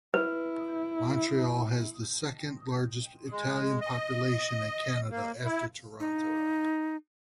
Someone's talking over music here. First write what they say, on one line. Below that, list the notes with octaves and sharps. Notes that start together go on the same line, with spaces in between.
Montreal has the second largest Italian population in Canada after Toronto.
E4 B4
G#3
D#5
A#3
E4
D#4